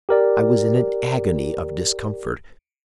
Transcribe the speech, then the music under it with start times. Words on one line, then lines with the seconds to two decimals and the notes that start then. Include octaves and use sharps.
'I was in an agony of discomfort.
0.09 G4 A#4 D5